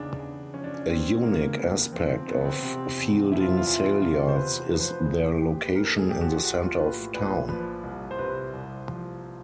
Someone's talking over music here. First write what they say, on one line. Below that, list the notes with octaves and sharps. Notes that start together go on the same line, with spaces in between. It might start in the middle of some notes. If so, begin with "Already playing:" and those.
A unique aspect of Feilding Saleyards is their location in the centre of town.
Already playing: E2 C#3 D4 D#4
E2
F3 C#4
D4
C#4
E2 C4
C#3 A#3
E2 B3
F3 C4
C4
E2 B3
C4
C3 C4
E2
F3 E4
F4
E4
F4
E2 E4
F4
E4
C3 F4
C5
E2 B4
F3 B4
C5
B4
A#1 G#4
A2 G4
B4
A#1 A#4
A4
G#4
F3 G4
F#4
F4
A#1 F#4
F4
A2 B4
A#1 B4
F3 B4
C2
C5
C3 B4
C2
F3